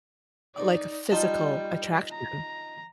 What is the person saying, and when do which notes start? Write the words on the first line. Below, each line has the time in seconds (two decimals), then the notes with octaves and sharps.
like, a physical attraction.
0.55 D#4 D5
1.12 G3 D#4 F4 A5
2.11 A#5